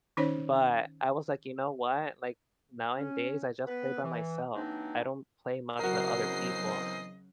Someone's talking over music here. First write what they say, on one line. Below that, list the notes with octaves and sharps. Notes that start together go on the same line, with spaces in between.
But, I was like, "You know what?" Like, nowadays, I just play by myself. I don't play much with other people,
D#3 C#4 D#4 C5 C#5
C#4
B3 B4
E3
E3 F#3 A#3 C4 D4 D#4
E2 C#3 F#3 C4 F#4 A#4 D#5 C7